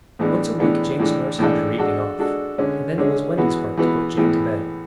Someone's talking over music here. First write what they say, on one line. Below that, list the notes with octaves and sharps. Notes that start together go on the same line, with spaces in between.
Once a week Jane's nurse had her evening off; and then it was Wendy's part to put Jane to bed.
A2 E3 G#3 B3 D4
A2 E3 G#3 B3 D4
A2 E3 G#3 D4 A4
A2 E3 G#3 D4 A4
G#3 D4 F#4 A4
G#3 D4 F#4 A4
D3 G#3 C#4
D3 G#3 C#4
E3 G#3 B3 F#4 B4
E3 G#3 B3 F#4 B4
A2 E3 G#3 B3